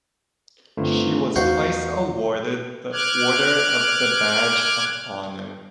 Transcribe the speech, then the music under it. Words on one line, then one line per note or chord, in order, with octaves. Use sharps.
She was twice awarded the Order of the Badge of Honor.
G1 A3 C4
E2 D#4 F#4 C5 F5
D6 F6 F#6 G#6